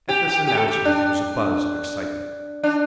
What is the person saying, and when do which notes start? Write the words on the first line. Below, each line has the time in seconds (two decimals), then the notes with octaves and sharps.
At this announcement there was a buzz of excitement.
0.09 G4
0.28 G4
0.47 G4
0.57 A4
0.68 G4
0.85 D4
2.63 D4